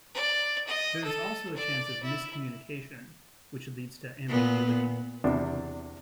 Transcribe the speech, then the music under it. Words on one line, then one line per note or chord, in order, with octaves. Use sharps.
There is also a chance of miscommunication which leads to ambiguity.
D5
D#5
A4
D5
E4
A#2 B3
E2 C3 D4